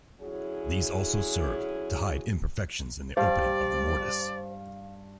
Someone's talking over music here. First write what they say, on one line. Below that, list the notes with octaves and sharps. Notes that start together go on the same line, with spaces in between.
These also serve to hide imperfections in the opening of the mortise.
D3 F#3 C#4 E4 G#4
G2 C5 D5 F5